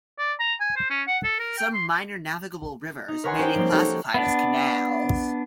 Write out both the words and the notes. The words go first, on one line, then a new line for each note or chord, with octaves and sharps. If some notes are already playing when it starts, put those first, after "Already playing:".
Some minor navigable rivers may be classified as canals.
D5
A#5
G#5
C5
C#4
F#5
A4
A#4
G5
C6
D#4
A#4 B4 C#5 F#5 G#5 C6
C#4 G4 C5 D5 G5
F3 G3 G#3 A#3 C4
A#3 C#4 D#4 F#4 G4 A4
B3 D4